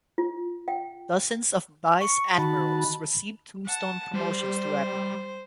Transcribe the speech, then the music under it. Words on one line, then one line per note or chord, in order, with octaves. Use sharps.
Dozens of vice admirals received tombstone promotions to admiral.
F4
G5
C#6
D#3 F#4 A5 B5
F#5 A5
G3 C5